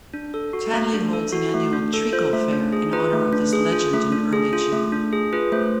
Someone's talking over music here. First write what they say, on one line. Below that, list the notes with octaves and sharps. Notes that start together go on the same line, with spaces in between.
Tadley holds an annual "Treacle Fair" in honour of this legend in early June.
D4
A4
F#4
A3
D4
A4
F#4
A3
D4
A4
F4 C5
A3
D4
G#4
F4 B4
A3
D4
G#4
F4
A3
D4
G#4
F4
A3
D4
G#4
F4 B4
A3 C5